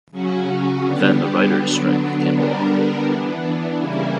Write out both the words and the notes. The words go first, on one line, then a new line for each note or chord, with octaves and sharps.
Then the writers strike came along.
C#3 F#3 C#4 F#4
D3 G3 B3 D4 G4
D3 F#3 B3 D4
D3 G3 B3 D4 A#4
E3 B3 D4
C#3 E3 G3 A#3 E4